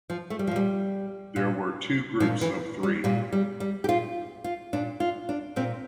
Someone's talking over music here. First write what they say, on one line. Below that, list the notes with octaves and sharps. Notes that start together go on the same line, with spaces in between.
There were two groups of three.
F3
A3
G3
F3
A#2 G3
A#2
A#2 F3
E3
G3
A#2 G3
G3
G3
G4
A#2 F4
F4
A#2 D4
F4
D4
A#2 C4